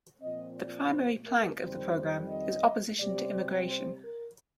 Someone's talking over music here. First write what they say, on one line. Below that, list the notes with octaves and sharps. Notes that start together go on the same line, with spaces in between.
The primary plank of the program is opposition to immigration.
A#2 F3 C4 D#5
D5
C5
A#4
F2 D#3 G3 C4 C5
D#5
C3 G3 C4 D5
C5
A#4